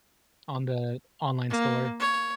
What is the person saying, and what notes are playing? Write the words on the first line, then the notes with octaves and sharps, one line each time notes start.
on the online store.
A#3
C#5